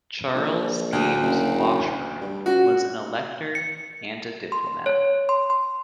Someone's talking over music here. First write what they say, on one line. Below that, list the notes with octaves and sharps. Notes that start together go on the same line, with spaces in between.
Charles Ames Washburn was an elector and a diplomat.
A#1
D2
F#1
G2
C#2 F#4
C#7
C6
C#5
C6
C6